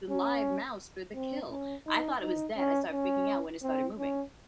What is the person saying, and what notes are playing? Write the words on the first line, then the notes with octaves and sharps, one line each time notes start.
the live mouse for the kill. I thought it was dead. I started freaking out when it started moving.
C#4
C4
C#4
D#4
D#4
C#4
C#4
C4
C#4